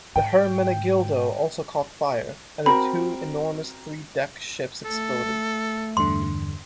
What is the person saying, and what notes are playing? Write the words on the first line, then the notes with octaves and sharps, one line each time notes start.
The "Hermenegildo" also caught fire and the two enormous three-deck ships exploded.
G#2 G5
C4 F#4 A#4 B5
A3 A4
E2 G2 D3 C6